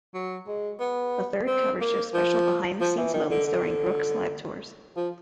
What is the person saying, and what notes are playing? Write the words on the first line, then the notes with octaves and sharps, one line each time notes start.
A third cover shows special "behind the scenes" moments during Brooks' live tours.
F#3
G#3
B3
C4
A#3
F3
F3
E3
D#3
D3
D3
F3